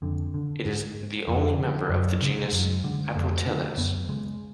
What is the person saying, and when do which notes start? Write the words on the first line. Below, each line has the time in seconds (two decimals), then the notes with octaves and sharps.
It is the only member of the genus "Aproteles".
0.02 F2 D3
0.34 D3
0.66 G#2
1.28 F2 F3
1.59 D3
1.89 F#2
2.22 C#3
2.45 G#3
2.53 F#2 F#3
2.84 D3 G#3
3.15 F2 A3
3.46 D3
3.77 F#2 B3
4.09 C#3 G#3